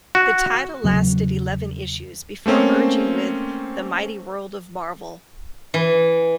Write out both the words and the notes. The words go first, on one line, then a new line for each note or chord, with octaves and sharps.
The title lasted eleven issues before merging with "The Mighty World of Marvel".
F#4
E2 C#3 F#3
A3 A#3 C4 C#4
E3